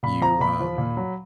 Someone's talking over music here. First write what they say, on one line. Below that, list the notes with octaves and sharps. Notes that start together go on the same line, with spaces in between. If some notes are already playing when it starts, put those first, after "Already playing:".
you, um,
A#2 B5
F3 A#5
A#2 B5
F3
A#2
F#3